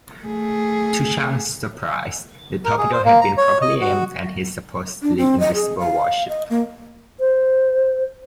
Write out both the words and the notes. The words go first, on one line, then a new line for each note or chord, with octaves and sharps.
To Chang's surprise, the torpedo had been properly aimed at his supposedly invisible warship.
A3 G#4
A#4
G#4
C5
A#3
A#5
C#5
D#5
F#4
D4
C4
D#5
G#4
F5
D#5
A#3
C5